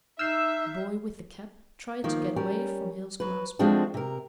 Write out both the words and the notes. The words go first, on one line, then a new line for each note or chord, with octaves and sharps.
The boy with the cap tried to get away from Hale's grasp.
D#4 E5 E6 F6 G6 C7
D#3 F3 A#3
G3 C#4 A#4
F#3 B4
F3 G#3 A3 C4 D4 F#4
C3 A#4